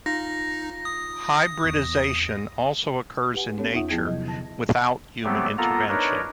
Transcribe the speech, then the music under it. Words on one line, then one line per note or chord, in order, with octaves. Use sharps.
Hybridisation also occurs in nature without human intervention.
D#4 F4 F5 A#6
D#6
G#1 E2 C#6
G4 B4 F#5 G#5
A#3 B3 C#4 G4 A4 C#5
E2 D#4 F4 E5 F#5 D#6
F3 B3 E4 G#4 G5 G#6
C3 F#3 D#5
D3 A5 A#6
F#3 G3 A3 B3 C4 G4
A#3 B3 F4 A4 A#5
D4 D#4 A#4 B4 C#5